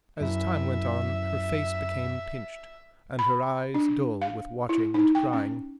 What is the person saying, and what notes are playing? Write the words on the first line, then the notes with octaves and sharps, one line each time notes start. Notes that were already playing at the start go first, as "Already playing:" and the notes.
As time went on, her face became pinched, and her eyes dull with watching and crying.
F#2 E4 E5
B5
D4
F5
E4
D#4
G5
C#4